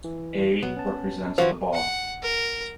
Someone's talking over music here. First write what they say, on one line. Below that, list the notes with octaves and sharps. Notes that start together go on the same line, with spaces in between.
A represents the ball.
E3
B2 F#3 B3
C#4 A5
E3 F3 F4 F#4 C5
F#5
A#4